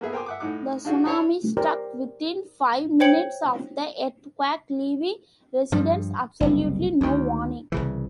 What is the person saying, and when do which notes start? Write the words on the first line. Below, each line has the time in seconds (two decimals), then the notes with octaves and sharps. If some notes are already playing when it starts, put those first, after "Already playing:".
The tsunami struck within five minutes of the earthquake, leaving residents absolutely no warning.
0.01 A#3 B3 G#4 E5
0.13 A#4 C5 G5 G#5 C6 D6
0.26 E5 F#5 D6
0.40 A2 D#4 E4 F#5 D6
0.85 D4 D#4 F4 F#4 G#4
1.05 D4 A4 C5 C#5 A#5
1.57 G4 A#4 C5 D5
3.00 C5 C#5 G5 G#6 C#7 F#7
5.72 G2 F3 G3
6.40 F#1 C2
7.01 D2 D#3
7.72 C2 C#3 E3